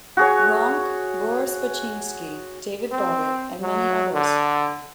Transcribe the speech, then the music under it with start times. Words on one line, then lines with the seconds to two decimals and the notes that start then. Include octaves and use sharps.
Ronk, Boris Baczynskj, David Boggett and many others.
0.17 F#4 G#4 C#5
2.92 C4
3.62 F#3
4.14 D3